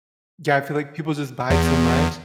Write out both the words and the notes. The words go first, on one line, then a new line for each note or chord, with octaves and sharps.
Yeah, I feel like people just buy too much,
E2